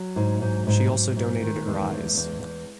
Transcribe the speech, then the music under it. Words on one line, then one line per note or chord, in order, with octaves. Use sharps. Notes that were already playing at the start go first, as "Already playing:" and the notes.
She also donated her eyes.
Already playing: F#3
G#2
G#2
G#2
G#2
G#2
D#3
E2 G#3
E2
E2
E2